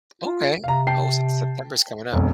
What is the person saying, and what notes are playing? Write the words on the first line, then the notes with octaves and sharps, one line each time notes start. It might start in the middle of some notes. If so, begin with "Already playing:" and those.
Okay. Oh, Sep September's coming up.
F4
C3 F5 A#5
G5 A5 C7
E1 B1 F2